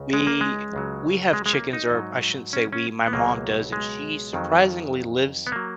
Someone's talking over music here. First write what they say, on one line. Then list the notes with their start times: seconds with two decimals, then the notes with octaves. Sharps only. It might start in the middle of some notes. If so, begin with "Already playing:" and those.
We we have chickens, or I shouldn't say we, my mom does, and she surprisingly lives
Already playing: C#2 C#3
0.13 G#3
0.27 A#3
0.41 G#3
0.73 C#2 C#3 F#3
1.33 G#3
1.46 G#3
1.53 A#3
1.73 D#4
1.92 G#2 F#3
2.53 C#4
2.72 C#4
3.07 B3
3.13 C#2 B2 F#3 A#3
3.73 G#3
4.33 F2 D#3 F#3
5.47 B3
5.52 F#3 A#3